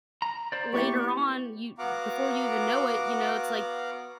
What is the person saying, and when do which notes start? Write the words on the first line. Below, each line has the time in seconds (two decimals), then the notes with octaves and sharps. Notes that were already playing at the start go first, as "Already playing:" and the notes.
th later on, you before you even know it, you know, it's, like,
0.22 A#5
0.52 C5 D5
0.73 A#3 B3 E4 G4 C#6
1.78 B3 F#4 F5 F#5 A#5 D6